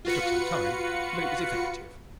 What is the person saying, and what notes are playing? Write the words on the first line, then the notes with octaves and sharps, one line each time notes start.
It took some time, but it was effective.
F4 F#4 B4 C#7